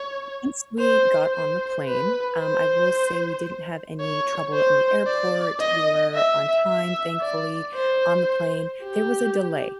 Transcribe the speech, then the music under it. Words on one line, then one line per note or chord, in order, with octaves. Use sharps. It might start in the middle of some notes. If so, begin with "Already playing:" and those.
Once we got on the plane, um, I will say we didn't have any trouble in the airport, we were on time, thankfully, on the plane, there was a delay
Already playing: C#5
C5
C5
B4
C5
C#5
C5
D5
D#5
E5
E5
D5
C5
G4